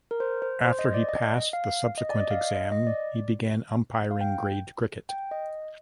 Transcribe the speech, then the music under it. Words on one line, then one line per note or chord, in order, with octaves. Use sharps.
After he passed the subsequent exam he began umpiring grade cricket.
A#4
C5
C5
C5
D#5
D5
D#5
F5
D#5
D5
D#5
F5
D#5
D#5
D#5
D5
F5
G5
G5
D#5